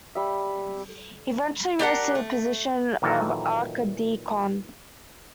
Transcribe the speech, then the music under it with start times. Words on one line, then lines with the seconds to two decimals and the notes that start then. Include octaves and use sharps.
He eventually rose to the position of archdeacon.
0.15 G3 E5
1.79 D4 G4 A#4 F#5
2.15 A3
3.02 A#2 D#3 E3 F#3 A4 A#4